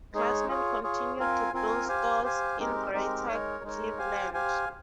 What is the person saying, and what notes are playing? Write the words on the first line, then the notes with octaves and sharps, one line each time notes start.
Glassman continued to build stores in Greater Cleveland.
G#3 D#4 G#4 C#5
F4 G#4 C#5
F4 G#4 C#5
C4 F4 A#4 F5 G#5
C4 F4 A#4 F5 G#5
G4 C5 F5 G#5
G4 C5 F5 G#5
G#3 C4 D#4 G4 A#4
G#3 C4 D#4 G4 A#4
G#3 D#4 A#4 C#5
G#3 D#4 A#4 C#5
G4 C5 F5 G#5
G4 C5 F5 G#5